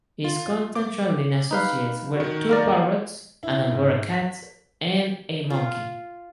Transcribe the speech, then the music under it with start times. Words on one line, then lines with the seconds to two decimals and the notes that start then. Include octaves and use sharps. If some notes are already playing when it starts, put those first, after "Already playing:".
His constant travelling-associates were two parrots, an Angora cat, and a monkey.
0.24 F4
0.75 D6
1.51 D#4 B4 F5
2.16 D#3 F#4
2.49 A#3 A#4 D5
3.43 E4
3.70 G#2
4.14 B6
5.50 F4